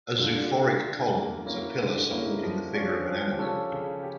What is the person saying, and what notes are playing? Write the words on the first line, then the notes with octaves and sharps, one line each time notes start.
A zoophoric column is a pillar supporting the figure of an animal.
D3 F4
G4
D4 F4
D3
D3
A#3
A#3 C#4 E4
D3
A#3 C#4 E4
F3
C#4 D4 F4
F3
F4
G4
C#4 F4 A4
C#3
G4